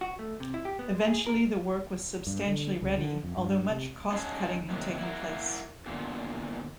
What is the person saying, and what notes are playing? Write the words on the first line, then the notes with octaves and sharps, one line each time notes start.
Eventually the work was substantially ready, although much cost-cutting had taken place.
F#4
A3
C3
E4
G4
B3
G#3
G#4
A#4
G2
D3
C#2
D3
F2
G2
C3
C#4 D#4 F#4 G#4 C#5 A5
A2 C3 D#3 F#3 A#3
E4 F#4 A#4
E2 A#2 D3